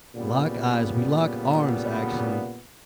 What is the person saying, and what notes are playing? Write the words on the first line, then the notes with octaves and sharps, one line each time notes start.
lock eyes, we lock arms, actually,
A#2 C#3 G3 B3